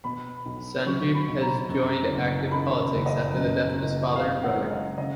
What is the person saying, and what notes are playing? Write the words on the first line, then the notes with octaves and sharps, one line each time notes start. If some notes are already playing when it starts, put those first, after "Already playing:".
Sanjib has joined active politics after the death of his father and brother.
B2 B5
B1
F#3 C#6
B5
B1
A#5
F#2
F#1
D#3 B5
F#1
D#5
F#2
F#1
C#3 F5
F#5
G#3
D#5
C#3 D#5